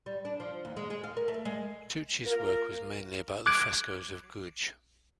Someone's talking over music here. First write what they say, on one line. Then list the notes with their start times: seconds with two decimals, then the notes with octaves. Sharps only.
Tucci's work was mainly about the frescoes of Guge.
0.06 G3
0.25 D4
0.40 F3
0.65 D#2
0.77 G#3
0.90 G#3
1.04 F5
1.17 A#4
1.28 A3
1.45 G#3
2.26 A#3 F4 A#4
3.46 D6 F#6 G#6 D7